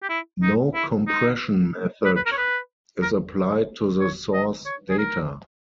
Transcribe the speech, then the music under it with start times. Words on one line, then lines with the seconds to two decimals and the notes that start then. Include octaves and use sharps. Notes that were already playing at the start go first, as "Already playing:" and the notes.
No compression method is applied to the source data.
0.03 G4
0.09 E4
0.43 D#4
0.74 E4
1.07 D#4
2.05 B4
2.16 B4
2.26 A#4
2.32 C#5
2.38 B4
3.03 A#4
4.00 C#5
4.33 D#5
4.65 C#5
4.90 G#4
4.99 A#4